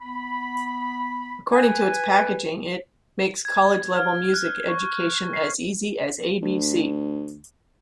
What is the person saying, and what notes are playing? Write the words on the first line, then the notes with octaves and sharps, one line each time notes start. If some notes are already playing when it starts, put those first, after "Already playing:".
According to its packaging it "Makes College-Level Music Education as Easy as A-B-C!".
B3 B5
B4 G#5
G#6
F6
F#6
C#6
C7
D2